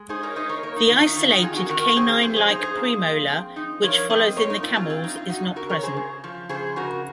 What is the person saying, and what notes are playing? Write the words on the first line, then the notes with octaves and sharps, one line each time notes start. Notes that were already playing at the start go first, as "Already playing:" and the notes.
The isolated canine-like premolar which follows in the camels is not present.
Already playing: G#3
D#4 G#4 C5
A#4 C#5
D#4 C5 D#5
A#4 C#5
A#3 A#4 C#5
D#4
D#3 F4
D#4
D#3 F4
D#4 F#4
C4 F4 G#4
F#4 A#4
D#3 F#4 A#4
C4 G#4 C5
F3 G#4 C5
G#4 C5
D#4 G#4 C5
G#4 C5
A#3
F3
C4
D#4
F3 A#4 C#5
C4 C5 D#5
A#2 A#4 C#5
D#4
C4 F4
F4 G#4
C4 F4
D#4
C4 F4
D#4 F#4
C#3
F#4 A#4
C#3 A#4 C#5
G#4 C5
C#3
F3
C#3 G#4 C5
C#3 F#4 A#4